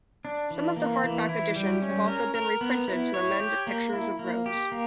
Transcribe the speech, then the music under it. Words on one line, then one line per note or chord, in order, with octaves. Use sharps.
Some of the hardback editions have also been reprinted to amend pictures of Rose.
D4
E3
A#3
E3
E4
G3
C#4
A#4
A#4
B3
E4
C#5
G4
A#3
E4
A#3
G4
A#3